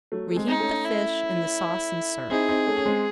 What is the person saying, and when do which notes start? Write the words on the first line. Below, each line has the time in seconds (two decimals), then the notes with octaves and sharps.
Reheat the fish in the sauce and serve.
0.12 F#3 A3
0.32 A3
0.36 G#3 C4
0.48 D#4
0.60 A3 C#4
0.85 E4
2.30 C4 D#4 G#4
2.48 C4 D#4
2.67 A3 C#4
2.77 C#4
2.86 G#3 C4